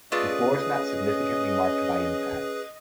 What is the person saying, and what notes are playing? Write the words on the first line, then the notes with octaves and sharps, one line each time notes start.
The floor is not significantly marked by impacts.
A3 C#4 F4 G#4 B4 D5 D#5